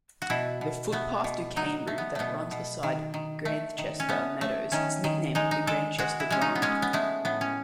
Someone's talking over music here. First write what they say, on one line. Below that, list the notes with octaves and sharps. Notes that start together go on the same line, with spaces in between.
The footpath to Cambridge that runs beside Grantchester Meadows is nicknamed the Grantchester Grind.
F#4
B2 E4
B2
A3 B3
B2
F#3 D#4
A3
B3
B2 A3 B3
B2
D#3
D#3
A3
D#3
C#4
A3 B3
A3
D#3 C#4
D#3
G#3 D#4
D#4
G#3 A4
G#3 F#4
E4
G#3 C#4
D#4
B3
G#3 C#4
B3
G#3 A3
A2 B3
C#4